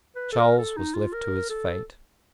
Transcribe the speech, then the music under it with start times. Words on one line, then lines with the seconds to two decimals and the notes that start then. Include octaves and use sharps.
Charles was left to his fate.
0.15 B4
0.32 A4
0.40 A#4
0.58 A4
0.77 D#4
0.94 F4
1.13 A#4
1.50 A4